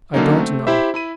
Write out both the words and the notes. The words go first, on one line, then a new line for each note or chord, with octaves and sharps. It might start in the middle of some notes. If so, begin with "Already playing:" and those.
'I don't know.
D3 F#3 A#3 C#4 D#4
A3 C4
E4 G4 C5 E5
E4 B5 D#7